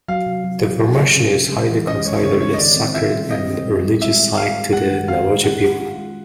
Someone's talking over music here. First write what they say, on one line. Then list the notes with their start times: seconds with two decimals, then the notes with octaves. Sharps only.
The formation is highly considered a sacred and religious site to the Navajo people.
0.08 F#3 F5
0.26 C3
0.44 F#3
0.63 C3
0.80 C3
0.99 C3
1.16 C#4
1.34 C#3
1.51 G#3
1.70 E3
1.87 C#4 D#5
2.05 G#3 C#5
2.22 C#3 C#5
2.41 G#3 C#5
2.54 D#5
2.58 D#3 D5
2.76 C4
2.94 F4 E5
3.12 G3
3.30 C4 D#5
3.47 C4
3.65 G3
3.84 G3
4.02 G#3 E5
4.19 G#3
4.37 F#4 F5
4.55 G#3
4.73 G#3 F#5
4.90 D#3
5.08 F#4 F5
5.26 G#3
5.44 C#4 F#5
5.62 F4
5.80 F4
5.97 G#3